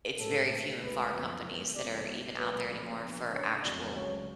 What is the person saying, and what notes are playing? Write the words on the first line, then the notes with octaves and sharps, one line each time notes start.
It's very few and far companies that are even out there anymore for actual
A2 G#3 C#4 A4
B2 A3 C#4 G#4 B4
C#2 B2 A3 B4
F#2 F3 B3
C#3 F3 G#3 B3
C#2 C#3 F3 B3 D5
C#3 G#3 B3
C#2 B2 F#3 B4
C#3 F3 A3
F3 B3 D4
C#3 G#3 D4 G#4 B4 C#5
F2 C#3 F#3 A3 C#4 D5
C#2 C#3 F#3 A3 C#4 C#5